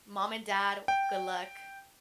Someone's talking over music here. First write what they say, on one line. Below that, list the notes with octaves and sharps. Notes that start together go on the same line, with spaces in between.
"Mom and dad, good luck,"
G5